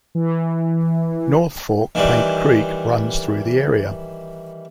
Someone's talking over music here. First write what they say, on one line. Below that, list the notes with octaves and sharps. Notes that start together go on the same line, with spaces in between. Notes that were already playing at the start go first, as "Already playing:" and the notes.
North Fork Paint Creek runs through the area.
E3
D#3 E3 G3